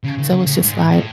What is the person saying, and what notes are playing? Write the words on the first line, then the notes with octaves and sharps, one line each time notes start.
So it's just like,
C#3
D#3
C#3
A2
G#2
A2